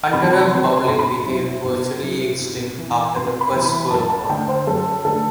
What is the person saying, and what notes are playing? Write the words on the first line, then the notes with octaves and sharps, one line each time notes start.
Underarm bowling became virtually extinct after the First World War.
C3 B5
A5
B5
F#3 C4 C6
B2 C6
B5
C6
F#3 C4 E4
B2
F#3 C4 E4
C3
E3 B3 E4
C3 C6
B5
C6
E3 B3 E4 B5
B5
F#2 A5
A5
D3 A3 G5
C5
F#2 A4
D3 A3 A4